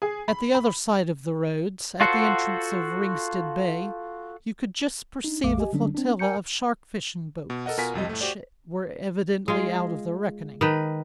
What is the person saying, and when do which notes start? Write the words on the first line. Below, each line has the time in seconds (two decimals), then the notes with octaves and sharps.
At the other side of the roads, at the entrance of Ringstead Bay, you could just perceive a flotilla of shark-fishing boats, which were evidently out of their reckoning.
0.02 G#4
0.28 B5
0.55 B5
2.01 F4 F#4 A4 C5 F#5
5.24 D4 D#4
5.44 A#1 F2 A3 F5 D6
5.58 G4 D#5 G#5
5.73 D3 F#3 G3 C#4 D4
5.95 C4 D4
6.19 A#4 G#5 A#5 G6 C#7
7.50 B2
7.66 A4 A#4 D#5 F#5
7.78 B2 F4 A#4 F#5 G#5 B6
7.94 C2 F2 G3 D#5
8.09 A2 A3
8.21 F#4 G4 C5 D5
9.48 G#3 F4
10.61 D#3 B4